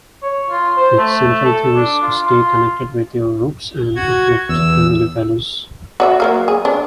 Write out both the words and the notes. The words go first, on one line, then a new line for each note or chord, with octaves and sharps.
Its central theme is to stay connected with your roots and uplift family values.
C#5
F4
C5
A3
A4
D4
F4
F4
F#4 G#6
E2 E6
F#4 D5 E5
F#3 A#3 F5
G#4
D4